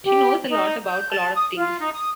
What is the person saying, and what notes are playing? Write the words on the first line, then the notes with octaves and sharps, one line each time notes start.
She knows a lot about a lot of things.
G4
D#4
G6
A5
D#6
F4
D#4
D#6